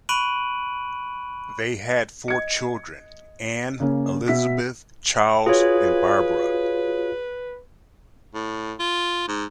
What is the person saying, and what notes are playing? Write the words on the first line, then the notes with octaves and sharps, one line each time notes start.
They had four children: Anne, Elizabeth, Charles, and Barbara.
B5 C#6 F#6 D7 D#7 F#7
D#5 G#6 C#7
C#3 A#3 C#4
B2 E5 B6
F4 F#4 G#4 B4 C#5 F5
A2
F4
G#2